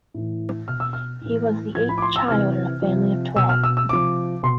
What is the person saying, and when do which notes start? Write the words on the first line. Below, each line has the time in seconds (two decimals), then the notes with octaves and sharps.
He was the eighth child in a family of twelve.
0.14 A2 E3
0.68 B2 F6
0.80 E6
0.93 F6
1.21 A2 E3
1.75 A2 F3 G#6
1.89 B5
1.98 D6
2.02 C6
2.16 E6
2.28 C3 E3 F6
2.82 C3 F3
3.36 B2 E6
3.49 F6
3.64 E6
3.77 E6
3.89 C3 F3 D6
4.43 B2 C6